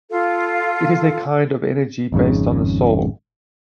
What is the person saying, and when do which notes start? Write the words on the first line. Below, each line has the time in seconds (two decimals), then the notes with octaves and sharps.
It is a kind of energy based on the soul.
0.10 F4 A4 F5
2.12 G#1 F2 G#2 C#3